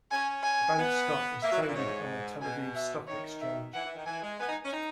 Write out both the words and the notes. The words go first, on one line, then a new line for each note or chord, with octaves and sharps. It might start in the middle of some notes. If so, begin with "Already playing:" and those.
The bank's stock is traded on the Tel Aviv Stock Exchange.
C#4 G#5
G#5
B3
A#3 E5
F#3
E3
A#2
G#2 C#5
B2 G#5
E5
D#3 C#5
E5
E3 F#5
E3
D#3
E3 G#5
G#3
B3 G#5
D#4
C#4
D#4